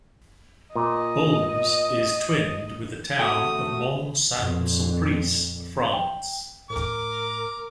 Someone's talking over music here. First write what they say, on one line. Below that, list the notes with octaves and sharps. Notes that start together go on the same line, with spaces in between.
Baulmes is twinned with the town of Mont-Saint-Sulpice, France.
A#2 D#5
A3 F#4 E5 F#5 G5 D#6
F2 A#2
G5
A2 A#4 D6